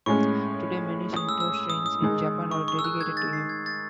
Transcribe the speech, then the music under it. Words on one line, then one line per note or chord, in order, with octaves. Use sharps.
Today many Shinto shrines in Japan are dedicated to him.
A2 G#3 C#4 C#6
D#6
E6
E6
E6
D#6
D#6
D#3 G#3 D#4
C#6
C#6
E6
F#6
G#6
A6
C7
G#6
A6